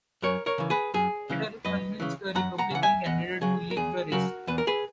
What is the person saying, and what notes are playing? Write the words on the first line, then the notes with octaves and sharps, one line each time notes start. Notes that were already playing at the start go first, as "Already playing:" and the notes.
Eder convinced the Republican candidate to leave the race.
F#2 A#4 C#5
A#4 C#5
C#3 E3
G#4 B4
F#2 G#4
C#3 E3
F#2 B4 D#5
C#3 E3
F#2 F#5 A#5
F#5 A#5
C#3 E3 F#5
E5 G#5
E2 D#5 F#5
C#3 F#3 G#4
A#4
E2 G#4
C#3 F#3 F#4 A#4
E2 B4
A#4
G#4 B4